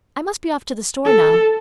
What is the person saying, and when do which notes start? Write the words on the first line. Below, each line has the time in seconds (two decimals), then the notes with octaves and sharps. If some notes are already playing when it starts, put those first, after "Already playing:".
I must be off to the store now.
1.06 A4